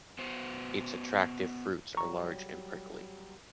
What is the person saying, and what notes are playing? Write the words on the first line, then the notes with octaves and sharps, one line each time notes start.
Its attractive fruits are large and prickly.
B3 F#4 C5
F#3 G3 A#5 C#6